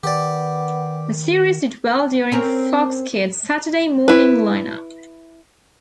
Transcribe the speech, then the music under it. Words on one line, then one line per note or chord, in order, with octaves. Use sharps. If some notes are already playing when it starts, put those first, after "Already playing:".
The series did well during Fox Kids' Saturday morning line-up.
D#3 B3 G4 D5
C4 C#4 A#4
E4 B4